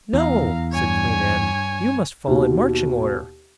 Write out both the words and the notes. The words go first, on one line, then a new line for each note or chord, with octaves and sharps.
"No," said Queen Ann, "you must fall in marching order."
E2 F5 A#5
G2 C#5 G#5
D#2 B2